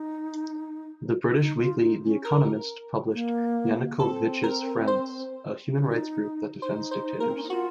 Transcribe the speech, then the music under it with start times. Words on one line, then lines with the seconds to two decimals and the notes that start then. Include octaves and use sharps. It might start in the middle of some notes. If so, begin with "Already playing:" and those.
The British weekly "The Economist" published "Yanukovich's friends: A human-rights group that defends dictators".
Already playing: D#4
1.37 D#4
1.59 F4
1.80 D#4
2.03 C#4
2.25 A#4
3.12 A#3
3.95 A#3
3.99 C4 A4
4.44 A#4
4.87 C5
5.75 D#4
5.82 C#4
5.89 D#4
6.62 D#4 C5
6.91 C5
7.20 A#3 A#4
7.27 C4
7.35 C#4
7.43 D#4
7.50 F4 F#4